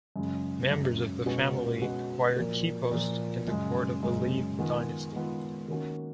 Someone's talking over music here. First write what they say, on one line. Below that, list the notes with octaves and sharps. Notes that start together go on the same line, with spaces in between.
Members of the family acquired key posts in the court of the Lý dynasty.
F#2 C#3 G#3
F#2 C#3 G#3
B2 G#3 C#4 F#4 B4
B2 G#3 C#4 F#4 B4
A#2 F3 A#3
A#2 F3 A#3
F#2 C#3 G#3
F#2 C#3 G#3
D#3 G#3 B3 F4
D#3 G#3 B3 F4
D#3 A#3 C#4 F#4